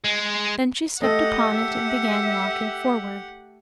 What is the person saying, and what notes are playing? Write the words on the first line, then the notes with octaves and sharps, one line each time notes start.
Then she stepped upon it and began walking forward.
G#3
A3 G4 A4 D#5 F#5
E5